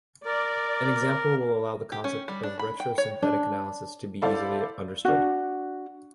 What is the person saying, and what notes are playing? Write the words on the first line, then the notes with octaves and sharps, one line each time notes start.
An example will allow the concept of retrosynthetic analysis to be easily understood.
A#4 D5
G4
C#4
G3
D4
B5
G5
C#5
D4
E4 A4 C5 D5 F5
D4 F#4